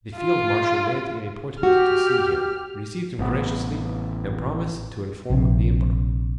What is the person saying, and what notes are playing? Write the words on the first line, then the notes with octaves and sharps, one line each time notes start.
The field marshal made an appointment to see him, received him graciously, and promised to inform the Emperor.
F4
F#4 G4 F6
A1 C3 B3
A#1 C3